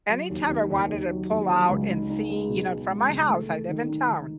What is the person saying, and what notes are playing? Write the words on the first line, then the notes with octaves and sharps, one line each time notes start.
anytime I wanted to pull out and see, you know, from my house I live in town,
F#3
D#2
D#2
D#2
D#2
F#3
D#2
F#3
C#2
D#4
D#4
G#3
B2
G#3
G#3
C#2
A3
A3
D#3
D#4
D#3